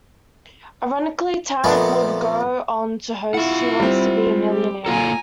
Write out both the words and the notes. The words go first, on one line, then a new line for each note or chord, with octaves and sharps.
Ironically Tarrant would go on to host Who Wants To Be A Millionaire?
F2 A#2 A3 B3
E4 F4 F#5
G3 C4
G4
A#3 F4 A4 G#5 A#5